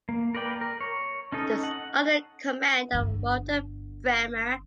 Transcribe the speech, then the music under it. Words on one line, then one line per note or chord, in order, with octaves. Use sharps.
It was under the command of Walter Brehmer.
A#3
A#4 B4 D5 G5
A#4
C#5
C#4 D#4 A4 D#5
F#5
G1 D3